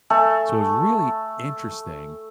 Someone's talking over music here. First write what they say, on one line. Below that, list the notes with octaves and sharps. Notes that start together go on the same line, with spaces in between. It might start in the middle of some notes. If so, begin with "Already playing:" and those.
So, it's really interesting,
A3 A4 G#5